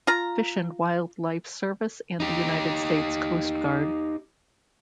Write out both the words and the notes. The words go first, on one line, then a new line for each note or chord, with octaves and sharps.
Fish and Wildlife Service and the United States Coast Guard.
F4 A#5
D#4 G4